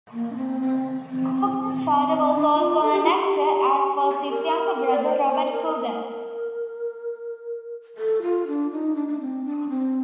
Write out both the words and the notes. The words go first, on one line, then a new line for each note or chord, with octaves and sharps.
Coogan's father was also an actor, as was his younger brother, Robert Coogan.
A#3
D4
C4
C4
C4
C4
C4
D4
F4
A4
G4
F4
G4
A#4
D5
C5
C5
A#4
A#4
A4
F4
D4
D#4
D4
D4
C4
D4
C4